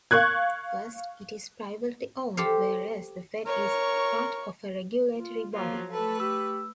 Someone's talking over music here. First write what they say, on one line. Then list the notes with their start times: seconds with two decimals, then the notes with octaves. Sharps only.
First, it is privately owned, whereas the Fed is part of a regulatory body.
0.11 F5 C#6 F#6 G#6
2.37 G4 A4 C5 F5
3.46 A#4 C#5 C#6
5.13 F4
5.53 F3 F#3 A#3 F4
5.91 A3 A4 B4
6.20 G4 E6